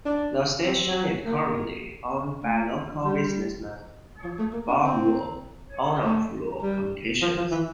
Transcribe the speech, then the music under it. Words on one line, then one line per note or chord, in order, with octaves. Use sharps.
The station is currently owned by local businessman Bob Rule, owner of Rule Communications.
D4
C4
A#3
A3
G3
F3
A3
A#3
D4
C4
A3
G3
F3
F3
E3